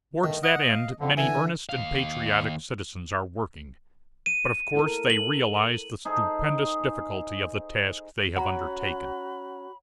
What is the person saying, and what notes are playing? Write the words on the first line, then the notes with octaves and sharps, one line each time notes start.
Towards that end many earnest and patriotic citizens are working; but of course they realize the stupendous difficulty of the task they have undertaken.
G2 D#3 A3
D#5 F#5
F5
F2 D3
D3 E3 G#5
D#2 F5
D#7
E4 A4 A#4
A4 F#7
D#4 G#4 A4 C5
C#4 F#4 F#5 A#5 B5